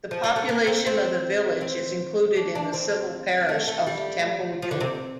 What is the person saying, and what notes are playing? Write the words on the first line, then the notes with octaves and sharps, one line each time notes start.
The population of the village is included in the civil parish of Temple Ewell.
F3
G3
A3
A#3
C4
C4
C4
D4
D4
C4
A3
A3
G3
F3
D3
C3